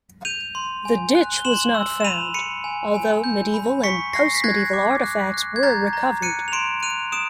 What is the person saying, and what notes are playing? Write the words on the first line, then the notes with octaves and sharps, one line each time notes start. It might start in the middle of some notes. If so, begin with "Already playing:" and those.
The ditch was not found, although medieval and post-medieval artefacts were recovered.
G6 D#7 F7
C6
G#5
F#6
G7
C6 E7 F#7
E6
E7
B5 D#7 F7
B5 C#7 D#7
G#5
G#5
G6
B5
C#6 B6 C#7
C#6 A#6 C7
B6
F#6 G#6 A#6
D6
F#6
F#6
G#6
A#5 G6 A6
A#5
F#6 C#7 D#7
F7
C6 D7 E7
F#6 D#7 F7
D#6 D7 E7